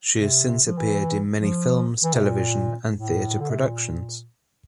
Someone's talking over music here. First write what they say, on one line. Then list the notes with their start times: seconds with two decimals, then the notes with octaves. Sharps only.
She has since appeared in many films, television and theatre productions.
0.16 C3
0.66 F3
0.78 E3
1.41 F3
2.04 E3
2.14 C3
2.24 A#2
2.96 A2
3.40 D3
3.50 C3
3.60 A#2